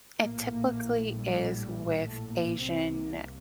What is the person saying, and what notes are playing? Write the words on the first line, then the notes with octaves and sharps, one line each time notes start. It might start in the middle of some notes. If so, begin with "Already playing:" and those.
It typically is with Asian,
A#1 A2 A#3
A#3
G3
A3
A#3
C2 C3 C4
A#3